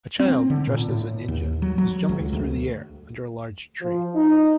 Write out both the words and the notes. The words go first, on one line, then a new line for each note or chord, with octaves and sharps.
A child dressed as a ninja is jumping through the air under a large tree.
C4
D3
A#2
A2
D#2
F#3
F#3
C#2
D2
F3
D#4